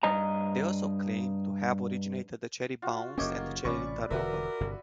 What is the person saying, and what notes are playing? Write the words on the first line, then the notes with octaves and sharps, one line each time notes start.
They also claim to have originated the Cherry Bounce and the Cherry Turnover.
G2 D#5 A#5
F4 F#4
F#1 A#3 C#4 G4 C#5 D#5
A1 C3 C#4 B4 D5 C#6
E1 D3 F#4 A#4 B4 E5 E6
G1 G2 C3